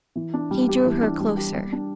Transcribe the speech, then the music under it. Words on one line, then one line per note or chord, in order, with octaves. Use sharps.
He drew her closer.
E3
D4
G3
G4
E3
D4
G3
G4
G3
D4